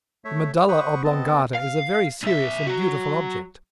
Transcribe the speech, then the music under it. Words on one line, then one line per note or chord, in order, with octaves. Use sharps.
The medulla oblongata is a very serious and beautiful object.
A3 C#5 E5
C5 F#5 B5 C#6 D#6
B3 C4 D#5 A5
F5
B1 E5
F#3 F#4